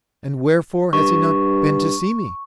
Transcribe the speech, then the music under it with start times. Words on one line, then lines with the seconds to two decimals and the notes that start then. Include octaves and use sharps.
"And wherefore has he not been to see me?"
0.93 G2 C#6